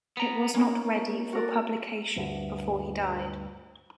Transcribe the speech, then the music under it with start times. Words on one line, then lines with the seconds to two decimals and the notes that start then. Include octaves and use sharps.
It was not ready for publication before he died.
0.17 B3 A#5
0.55 A#3 B3 C#4 D#4
1.33 F#4 A#4 D5
2.16 D2 G2